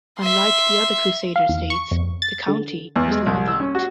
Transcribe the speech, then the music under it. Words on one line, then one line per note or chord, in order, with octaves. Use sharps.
Unlike the other Crusader states, the County was landlocked.
E5 C6
F5
E2
C#6
F2
A6
D3
E2
G#3
C2
E6
C#4
F#4